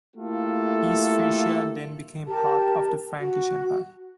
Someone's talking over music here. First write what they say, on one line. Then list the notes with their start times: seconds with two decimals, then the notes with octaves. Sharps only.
East Frisia then became part of the Frankish Empire.
0.16 A3 A#3 E4 F4 G4 A4
2.27 G4 A#4 A5
3.19 F#4